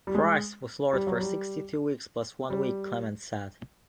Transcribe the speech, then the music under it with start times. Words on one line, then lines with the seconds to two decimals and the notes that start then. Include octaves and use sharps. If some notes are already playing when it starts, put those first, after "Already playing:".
Christ was Lord for sixty-two weeks plus one week, Clement said.
0.07 G3
0.15 G#3
0.93 G3
1.07 F#3
1.20 G3
2.50 G3